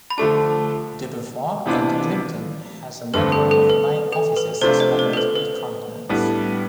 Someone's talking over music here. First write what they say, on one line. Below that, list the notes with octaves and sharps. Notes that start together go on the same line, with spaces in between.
Debevoise and Plimpton has a network of nine offices spanning three continents.
B5
D3 F3 A3 D4 A5
C3 E3 B3 D4 F4
G2 D3 A3 C4 B4
A4
A4
B4
A4
B4
C3 F3 A3 D4 F4 C5
D5
C5
A4
B4
B4
A2 G3 B3 D4